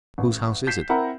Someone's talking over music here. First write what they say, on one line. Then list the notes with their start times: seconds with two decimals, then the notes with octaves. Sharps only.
"Whose house is it?"
0.18 A1
0.67 G6 B6 C7 E7
0.89 C4 E4 A#4 F#5 A#5 B5